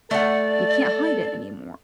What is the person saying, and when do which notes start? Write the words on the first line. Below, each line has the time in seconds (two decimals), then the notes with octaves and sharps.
You can't hide it anymore.
0.11 A3 A4 D5 F#5